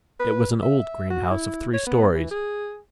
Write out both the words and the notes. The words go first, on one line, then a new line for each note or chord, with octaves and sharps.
It was an old green house of three storeys.
B4
E5
F#4
E4
C#5
B3
E3
G#4